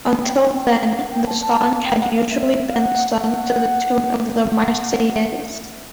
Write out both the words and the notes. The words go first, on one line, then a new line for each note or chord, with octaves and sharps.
Until then, the song had usually been sung to the tune of the "Marseillaise".
A5
G5
G#5
G5
F#5
G5
A5
A5
G5
F#5
F5
E5
F5
F#5
F#5
F#5